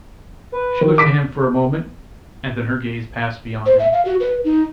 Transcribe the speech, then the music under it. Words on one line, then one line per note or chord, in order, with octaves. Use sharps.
She looked at him for a moment, and then her gaze passed beyond him.
B4
D#3
D6 B6 D7
C5
E5
F5
F#4
B4
D#4